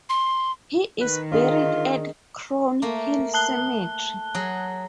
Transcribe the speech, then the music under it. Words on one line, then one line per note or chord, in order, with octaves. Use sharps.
He is buried at Crown Hill Cemetery.
C6
D#3 B4
D4 F4 G#4 A#4 D#5
A3 A#3
A5 F#6 G7
F#3 G#4